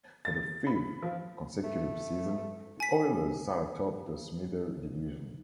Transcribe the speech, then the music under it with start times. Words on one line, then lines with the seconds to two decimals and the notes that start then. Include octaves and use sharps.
For the fifth consecutive season, the Oilers sat atop the Smythe Division.
0.25 A6
0.67 B5
1.02 F3
1.64 A3
2.80 G#5 B6